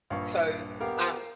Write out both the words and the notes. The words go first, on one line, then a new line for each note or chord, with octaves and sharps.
So, um,
A#1 G2 F5 C#6
B3 G4 A#4 F5